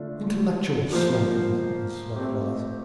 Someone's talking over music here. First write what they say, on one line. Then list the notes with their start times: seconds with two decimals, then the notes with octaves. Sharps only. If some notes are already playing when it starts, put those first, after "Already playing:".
Intellectual slumming, that was what it was.
Already playing: D3 A3 D4 F4
0.92 F3 A#3 F4 C5
2.16 A3 C4 G4